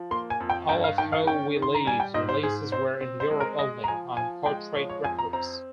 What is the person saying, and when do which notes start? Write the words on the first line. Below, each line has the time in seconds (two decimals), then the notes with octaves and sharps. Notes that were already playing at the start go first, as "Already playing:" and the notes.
All of How We Live's releases were in Europe only, on Portrait Records.
Already playing: F3
0.11 A#3 C6
0.30 G#5
0.40 F2
0.50 G5
0.69 G2 G5
0.84 F5
0.98 D#3 G5
1.12 F5
1.27 C#4 G5
1.56 D#3
1.62 C6
1.74 A#5
1.85 G3 G#5
2.00 G5
2.14 G#2 D#5
2.29 C5
2.43 G#2 G#4
2.72 C4 C5
3.01 C4
3.20 C5
3.30 G#3
3.40 A#4
3.59 G#3 D#5
3.84 A#5
3.88 F3 G#5
4.17 F3 G#5
4.46 G#3 G5
4.75 F3 C#5
4.89 C#5
5.04 F2 G#5
5.19 A#5
5.33 C4 A#5